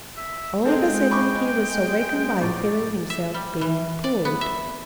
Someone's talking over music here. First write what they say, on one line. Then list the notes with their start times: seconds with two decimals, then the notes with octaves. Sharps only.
All of a sudden he was awakened by feeling himself being pulled.
0.17 E5
0.65 G#3 C4 D#4 A4 G5
1.11 B5 C#6 D6
2.41 A2 D5
3.10 E5
3.34 G3
3.61 E3
4.04 D5
4.25 B3
4.41 E5